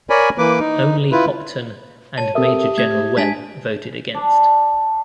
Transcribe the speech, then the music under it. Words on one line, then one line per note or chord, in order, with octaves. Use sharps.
Only Hopton and Major-General Webb voted against.
A#4 C#5 D5 G#5 B5
E3 A#3 B4 D6
D#4
E4 F4 B4
C#5 A5
C4 G4 A4 A#4 E5 D#6
A3 G#6
G#3 D4 G#5 A5 B6
D4